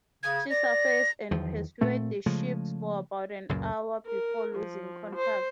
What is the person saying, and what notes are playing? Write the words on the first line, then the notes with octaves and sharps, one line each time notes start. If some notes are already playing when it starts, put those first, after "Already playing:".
She surfaced and pursued the ships for about an hour before losing contact.
C#3 G#6
D5 A#6
E2 D#3 F3 F#3
A#2 A3 C4
C#3 F3 G#3 A3
C#2 F#2 A#2
A#4
F3
C5